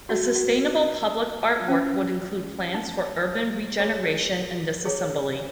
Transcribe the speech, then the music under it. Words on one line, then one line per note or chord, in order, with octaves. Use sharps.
A sustainable public art work would include plans for urban regeneration and disassembly.
F#4
F#4
C#4
D#4
G#4 C#5
G#4 C#5